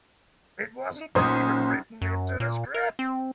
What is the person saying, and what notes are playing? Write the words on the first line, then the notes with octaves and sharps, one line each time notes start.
It wasn't even written into the scrip.
B1 A#2 C#4 C5 D#6
F#2
A#2
A#4
C4